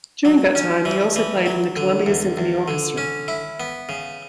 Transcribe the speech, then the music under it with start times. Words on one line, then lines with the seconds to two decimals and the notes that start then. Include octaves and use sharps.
During that time he also played in the Columbia Symphony Orchestra.
0.25 F#3
0.55 C#4
0.85 E3
1.16 E3
1.46 F#3
1.76 D3
2.06 E2
2.37 E2
2.68 D3
2.98 C#4
3.28 E4
3.60 B3
3.89 C#3